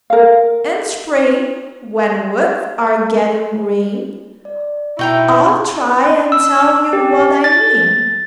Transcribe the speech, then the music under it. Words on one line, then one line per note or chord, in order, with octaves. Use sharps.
'In spring, when woods are getting green, I'll try and tell you what I mean.'
A#4 F5
D5
B2 D#4 E4 E5 G5 A#5 C#6
E6
G4
A6